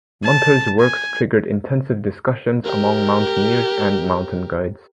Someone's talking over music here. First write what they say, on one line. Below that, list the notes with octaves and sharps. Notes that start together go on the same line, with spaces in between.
Munter's works triggered intensive discussions among mountaineers and mountain guides.
A5
G#5
G4 A#4